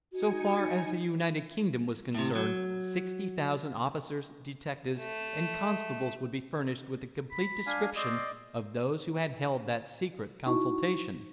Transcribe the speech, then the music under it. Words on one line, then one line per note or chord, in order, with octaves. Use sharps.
So far as the United Kingdom was concerned sixty thousand officers, detectives and constables would be furnished with a complete description of those who had held that secret consultation.
D#4 F#4 G#5 C#7
A2 C3
F#3
A3 E7
B5
D4 F5 G#5
C4 D5 D#5
D#4 E4 F#4 C#6